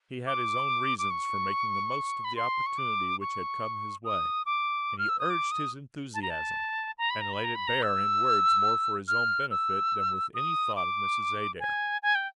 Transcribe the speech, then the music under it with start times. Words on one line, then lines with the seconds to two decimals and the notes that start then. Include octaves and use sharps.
He had his own reasons for making the most of the opportunity which had come his way; and he urged his enthusiasm, and laid it bare in words more for his own benefit than with any thought of Mrs. Adair.
0.27 D6
0.98 D6
1.10 C#6
2.24 B5
2.36 C6
2.66 C#6
2.78 D6
3.21 C#6
4.04 D#6
4.46 D6
4.98 F6
5.09 E6
5.19 D#6
5.30 D6
5.51 D#6
6.14 A5
6.22 A#5
6.30 A5
6.98 A#5
7.10 B5
7.21 A#5
7.33 B5
7.44 A#5
7.55 B5
7.67 A#5
7.82 E6
9.08 F6
9.51 E6
10.34 D#6
10.76 D6
11.60 G#5
12.02 G#5
12.15 G5